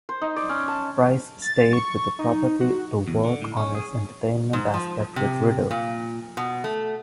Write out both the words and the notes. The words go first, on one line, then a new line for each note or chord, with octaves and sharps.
Rice stayed with the property to work on its entertainment aspect with Riddle.
C5
D#4
D5
C#4
A5
A6
C#6
D#4
F#4
E2
D3
A2
C#4
G#4
G#2
F3
C3
A#2
B2
A3